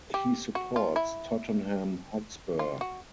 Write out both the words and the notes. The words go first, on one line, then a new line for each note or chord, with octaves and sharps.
He supports Tottenham Hotspur.
G4
F#4
F4
E4
F4
F#4